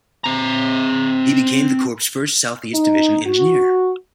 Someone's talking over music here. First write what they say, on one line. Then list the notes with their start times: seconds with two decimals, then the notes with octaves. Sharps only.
He became the Corps' first Southeast Division Engineer.
0.24 C4 A#5
2.74 D#4
3.25 F#4